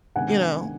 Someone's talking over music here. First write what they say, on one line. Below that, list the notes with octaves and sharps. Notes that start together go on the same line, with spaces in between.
You know.
C3 D#3 G#3 B3 D4 F#5 G#5